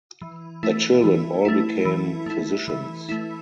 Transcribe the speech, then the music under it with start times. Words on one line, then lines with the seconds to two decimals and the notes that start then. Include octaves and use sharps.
Their children all became physicians.
0.22 E3
0.63 A3 E4
1.04 E3
1.45 A3 E4
1.85 E3
2.26 A3 E4
2.68 E3
3.09 A3 E4